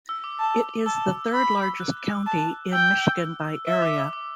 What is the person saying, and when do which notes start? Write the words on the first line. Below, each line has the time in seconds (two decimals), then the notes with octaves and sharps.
It is the third-largest county in Michigan by area.
0.09 E6
0.24 D6
0.39 A5
0.86 A5 E6
1.33 B5
1.80 F#6
2.27 A5
2.73 G5 E6
3.67 E5 E6
3.82 D6
3.98 E6
4.13 D6